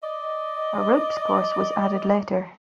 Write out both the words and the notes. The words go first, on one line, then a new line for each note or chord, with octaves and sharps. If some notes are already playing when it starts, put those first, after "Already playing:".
A ropes course was added later.
D5 D#5